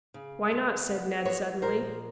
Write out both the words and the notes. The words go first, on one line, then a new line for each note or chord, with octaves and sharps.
"Why not?" said Ned suddenly.
C#3
C#3
B3
F3 B4 C#5
A#2 A#4 C5